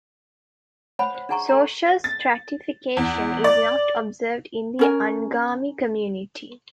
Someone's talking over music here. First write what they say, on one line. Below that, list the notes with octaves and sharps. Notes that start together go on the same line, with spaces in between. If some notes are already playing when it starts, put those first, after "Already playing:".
Social stratification is not observed in the Angami community.
C5 C#5 F#5 G#5 B5
C5
D4 G#4 F#5 G#5 A#5 C#6
A4 A#5
A6
E2
D5
C#4 A#4 G#5